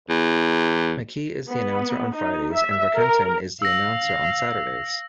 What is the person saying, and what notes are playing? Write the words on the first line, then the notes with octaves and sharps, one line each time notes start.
McKee is the announcer on Fridays and Warkentin is the announcer on Saturdays.
E2
B3
D#4
E5
A#4
F5 E6 A#6